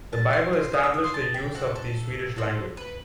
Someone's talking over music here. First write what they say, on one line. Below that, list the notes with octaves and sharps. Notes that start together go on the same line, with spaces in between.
The Bible established the use of the Swedish language.
A5
C6
C6
D#4 G4 D#6
E6
D#6
C6
A5
G5
C4 F#4 A4 F#5
A4
C4 F#4 A4
B4